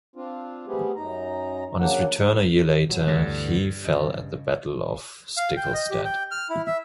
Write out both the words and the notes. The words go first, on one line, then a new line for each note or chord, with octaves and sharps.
On his return a year later he fell at the Battle of Stiklestad.
C4 D4 F4
G3 A3 B3 C4 G4 G#4
F#2 D#4 A#5
C#3 F#3 A#3 D4 F#5
G#2 B2 F#3
D2 G2 D3 E3
C#3 D#5
F5
G5
D#5
G4
G5
F6
E4
E5